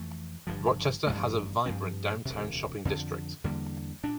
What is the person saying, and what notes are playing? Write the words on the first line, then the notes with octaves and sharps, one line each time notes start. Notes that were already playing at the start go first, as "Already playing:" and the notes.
Rochester has a vibrant downtown shopping district.
Already playing: F2 E3 A3
G1 G2 F3
A1 G2 F3 A3
G2 F3 C4
E1 D2 C3
F2 D3 F3 C4
E2 D3 G3 A#3
A#2 D4